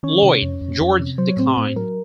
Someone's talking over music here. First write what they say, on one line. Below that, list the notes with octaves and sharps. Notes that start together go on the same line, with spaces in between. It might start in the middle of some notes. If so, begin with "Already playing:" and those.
Lloyd George declined.
D#3 C#4 C#5
C3
F2
F2
F2
C3
F#3 C5
C#5
A2 C4 C5
A2
F#3 A#4